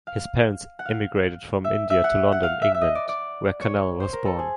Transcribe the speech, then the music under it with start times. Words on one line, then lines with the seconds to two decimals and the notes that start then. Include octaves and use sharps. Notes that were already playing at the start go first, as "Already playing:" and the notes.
His parents emigrated from India to London, England, where Kanal was born.
0.07 F5
0.79 F#5
0.85 F5
1.64 E5
1.90 E5
2.04 F#5
2.32 F#5
2.43 F5
2.62 E5
2.74 E5
2.81 D#5
2.95 D5
3.09 D5
3.61 C#5
4.00 C5
4.13 A#4
4.26 A4
4.39 G#4